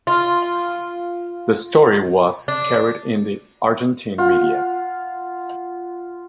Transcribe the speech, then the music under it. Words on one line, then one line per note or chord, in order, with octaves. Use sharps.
The story was carried in the Argentine media.
F4
D4
F4 F#5